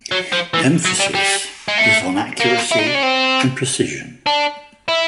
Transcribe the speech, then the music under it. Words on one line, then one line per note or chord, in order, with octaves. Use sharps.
Emphasis is on accuracy and precision.
F#3
F3
E3
F#3
G3
G3
G#3
A3
A#3
E4
D#4
D4
C#4
C4
D4
E4